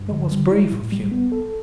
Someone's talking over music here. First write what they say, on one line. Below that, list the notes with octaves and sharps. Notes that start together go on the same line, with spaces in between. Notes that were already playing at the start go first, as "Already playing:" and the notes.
"That was brave of you."
Already playing: G2
D3
G3
E4
A2
G3
B3
A4